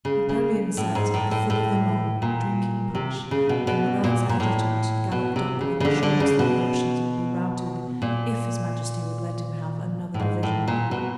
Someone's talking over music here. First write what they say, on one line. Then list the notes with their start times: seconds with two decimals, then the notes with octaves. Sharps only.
Napoleon sat at the foot of the knoll, drinking punch, when Murat's adjutant galloped up with an assurance that the Russians would be routed if His Majesty would let him have another division.
0.05 C#3
0.29 C#3
0.77 A2
0.95 G#2
1.14 A2
1.31 A2
1.50 A2
2.22 A#2
2.95 C3
3.31 C#3
3.49 B2
3.67 B2
4.04 A#2
4.29 A#2
4.40 A2
5.12 B2
5.36 C3
5.61 C#3
5.80 C#3
5.85 D3
6.03 D3
6.20 C#3
6.39 B2
8.02 A#2
10.14 A2
10.20 G#2
10.43 A2
10.68 A#2
10.91 B2